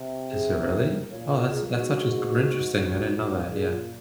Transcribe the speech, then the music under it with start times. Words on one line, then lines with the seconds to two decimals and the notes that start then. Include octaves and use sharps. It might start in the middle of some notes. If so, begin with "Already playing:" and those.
Is there really? Oh, that's that's actually super interesting. I didn't know that, yeah.
Already playing: C3
0.31 G#4
0.51 A#4
1.10 A#2 C#5
1.30 A#4
1.51 G#4
1.65 G#4
1.71 G#2 F#4
2.91 A#2
3.51 G#4
3.71 F4